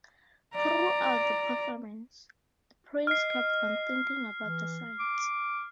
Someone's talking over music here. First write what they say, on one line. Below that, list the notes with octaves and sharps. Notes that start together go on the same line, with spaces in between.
Throughout the performance, the prince kept on thinking about the sights.
D5 A#5
D#5 F6 C7
E3
D6